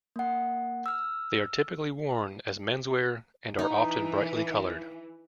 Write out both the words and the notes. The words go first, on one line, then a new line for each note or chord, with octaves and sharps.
They are typically worn as menswear and are often brightly colored.
A#3 F#5
E6 F6
E3 D#4